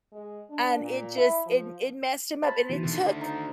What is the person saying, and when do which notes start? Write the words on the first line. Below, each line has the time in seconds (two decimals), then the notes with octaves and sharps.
and it just it it messed him up and it took
0.12 G#3
0.50 D4
0.80 A#2
1.17 E4
1.46 F3
2.42 C5 A5 B5
2.70 B2 D#3 E3
2.83 D2 D#3
3.21 D#4